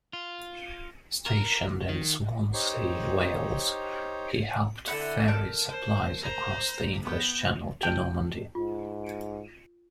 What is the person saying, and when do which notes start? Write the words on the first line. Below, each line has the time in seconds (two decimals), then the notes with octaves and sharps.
Stationed in Swansea, Wales, he helped ferry supplies across the English Channel to Normandy.
0.13 F4
1.26 A#4
1.89 D#3
2.53 D#4 G4 C5 C#5
4.88 D3 E4 A4 F#5
5.28 A#4 A5 G6
5.68 C5
6.20 C5 A#5
7.03 B3 G5
7.83 G5 A5
8.55 G#2 F4